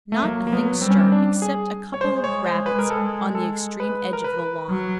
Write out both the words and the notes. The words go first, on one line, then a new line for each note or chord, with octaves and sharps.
Not a thing stirred, except a couple of rabbits on the extreme edge of the lawn.
A3
F#3 A#3
A#3
F#3 B3
G3 C4
C#4
C4
D4
G#4
C#5
G#3 C5
C#5
C5
B4
A#4
A4
A4
B4
A#4
B4
F#3